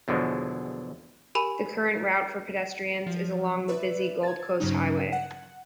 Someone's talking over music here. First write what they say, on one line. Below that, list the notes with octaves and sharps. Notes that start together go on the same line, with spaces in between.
The current route for pedestrians is along the busy Gold Coast highway.
E2 B2 D3 F3 F#3 G#3
G4 A#4 G#5 B5 D#7 E7
F3
B4 D5 E5
G#6 A6
G2 C#3 F#3 C#4 D#4
F#5